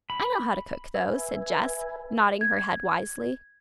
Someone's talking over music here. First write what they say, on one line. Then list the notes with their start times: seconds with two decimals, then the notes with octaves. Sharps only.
"I know how to cook those," said Jess, nodding her head wisely.
0.10 B5
0.95 B4 E5 G#5
2.41 G#6